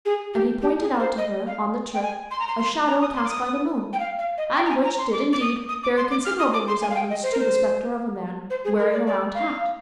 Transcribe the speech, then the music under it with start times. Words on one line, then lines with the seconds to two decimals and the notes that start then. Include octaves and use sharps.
And he pointed out to her on the turf a shadow cast by the moon, and which did indeed, bear considerable resemblance to the spectre of a man wearing a round hat.
0.05 G#4
0.34 G4
0.62 G4
0.81 G#4
1.00 C5
1.18 D#5
1.47 F5
1.94 G5
2.02 G#5
2.31 C6
2.39 A#5
2.48 C6
2.58 C6
2.88 A#5
3.01 D#6
3.16 C6
3.25 D6
3.30 D#6
3.93 G5
4.00 F5
4.19 F5
4.38 D#5
4.57 G5
4.65 A#5
4.70 G#5
4.84 A#5
4.98 C6
5.13 D6
5.33 D6
5.41 D#6
5.69 D#6
5.83 D6
5.97 C6
6.11 D6
6.25 F6
6.39 D#6
6.53 D6
6.67 C6
6.81 G#5
6.90 F5
6.95 G5
7.10 D#5
7.23 C5
7.32 A#4
7.40 C5
8.50 C5
8.65 G#4
8.79 A#4
8.93 D5
9.07 D5
9.35 F5